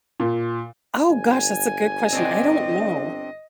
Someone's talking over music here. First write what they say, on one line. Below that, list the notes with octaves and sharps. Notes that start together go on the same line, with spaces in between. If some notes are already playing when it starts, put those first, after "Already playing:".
Oh, gosh, that's a good question, I don't know.
A#2
G1 G#5
C4 D4 G4 D#5